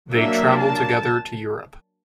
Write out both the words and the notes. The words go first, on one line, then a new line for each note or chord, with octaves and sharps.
They travel together to Europe.
F#3 A#3 D4 E5
A5